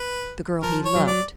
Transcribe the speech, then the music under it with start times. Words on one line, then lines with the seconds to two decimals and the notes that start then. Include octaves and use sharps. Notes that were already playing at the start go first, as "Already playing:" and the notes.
The girl he loved!
Already playing: B4
0.62 F3 A#4
0.85 C#5
0.96 F#3
1.07 D5